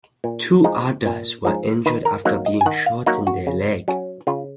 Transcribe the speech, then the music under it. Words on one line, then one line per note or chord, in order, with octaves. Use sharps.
Two others were injured after being shot in the leg.
A#2
F3 G#3 D#4
A#2
F3 G#3 D#4
D#3 B4
A#4
F#3 A#3 D#4
D#5
G#5
D#3 F#5
F5
F#3 A#3 D#4 F#4
F#4
C#3
F#3 C#4
C#3 F4